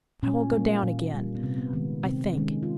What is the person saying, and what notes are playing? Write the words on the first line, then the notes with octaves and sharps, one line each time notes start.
I will go down again, I think!
A#2 C#4
G3 A#3
A#2
G3 A#3
B3
C3 C4
B3
D#3 G#3 B3
C3 C4
D#3 G#3 C#4
F4